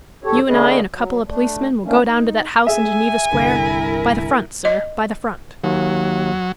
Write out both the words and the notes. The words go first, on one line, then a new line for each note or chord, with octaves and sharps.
"You and I and a couple of policemen will go down to that house in Geneva Square--by the front, sir, by the front."
E2 G2 G4 A4 C#5
D3 A3 C#4 G#4 B4 D#5
F#3
A3 D4
E3 A3 A#3 C#4 D4
D#4
G#4 E5 G#5
G1 C2 D3 E4 A#4
D#5
D#2 F#3